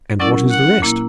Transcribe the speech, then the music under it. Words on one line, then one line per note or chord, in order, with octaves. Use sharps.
"And what is the rest?"
F#3 C#4 E4 A#4 D5
F#5
A#2 A#3 E4